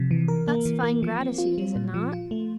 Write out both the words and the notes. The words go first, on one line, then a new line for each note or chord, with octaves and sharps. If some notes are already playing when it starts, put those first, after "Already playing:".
That's fine gratitude, is it not?'
Already playing: C3 F3
E3
A#4
A#3
E3
A#3
F3
C4
F4
G3
A#2
F3
F4
A3